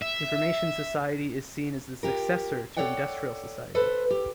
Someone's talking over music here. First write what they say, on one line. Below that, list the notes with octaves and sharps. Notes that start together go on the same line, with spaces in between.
Information society is seen as the successor to industrial society.
E5
F4 G4 A#4
A4 C#5 D5 F#5 G5
A4 B4 C5
G4